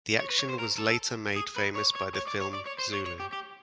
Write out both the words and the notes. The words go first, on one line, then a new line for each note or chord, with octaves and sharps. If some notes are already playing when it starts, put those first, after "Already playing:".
The action was later made famous by the film "Zulu".
C#5
B4
C#5
C5
A#4
A4
G#4
B4
C#5
C#5
C#5
D5
C#5
D5
C#5
C5
C#5
C#5
G4
G4